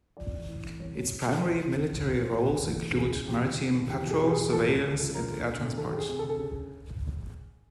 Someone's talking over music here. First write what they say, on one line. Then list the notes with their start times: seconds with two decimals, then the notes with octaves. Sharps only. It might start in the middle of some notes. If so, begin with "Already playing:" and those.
Its primary military roles include maritime patrol, surveillance, and air transport.
0.17 F3 D5
0.33 A1
0.48 A2
0.64 A1
0.80 C2 C#5
0.95 B2
1.10 B2
1.26 C2
1.42 E3 C5
1.58 E2
1.73 C#3
1.89 E2
2.03 D3 C#5
2.19 F3
2.25 C5
2.35 D#2
2.46 E1 B4
2.66 E3 A4
2.81 E2
2.97 C#3 G#4
3.12 E2
3.28 F3 G4
3.43 D#2
3.59 D3
3.75 D#2
3.90 E2 G4
4.06 B2 G#4
4.21 B2
4.26 G4
4.32 G#4
4.37 E2
4.53 F3 A4
4.68 C#2
4.84 C#3
5.00 C#2
5.14 F3 A#4
5.31 D2
5.46 D3
5.61 D2
5.76 D#3 A4
5.92 D2 G4
5.98 G#4
6.08 C3
6.19 A4
6.24 D2
6.29 A4
6.39 C#3 G#4